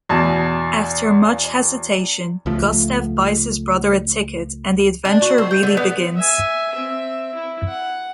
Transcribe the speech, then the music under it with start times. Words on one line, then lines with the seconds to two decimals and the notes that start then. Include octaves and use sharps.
After much hesitation, Gustav buys his brother a ticket and the adventure really begins.
0.09 E2 B2 A5
2.46 C#2 F3 A3
5.05 D4
5.22 F#4
5.38 C4
5.51 G5
5.63 D3
5.77 B3
6.17 E5 G#5
6.73 C4 E5
7.34 E4
7.68 F#5